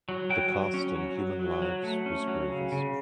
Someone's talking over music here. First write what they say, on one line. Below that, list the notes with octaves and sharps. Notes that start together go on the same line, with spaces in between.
The cost in human lives was grievous.
F#3
F#3 G5
F#3
C#4
F#3
F#3
F#3
F#3
A3
C#4
F#3
C#3
C#3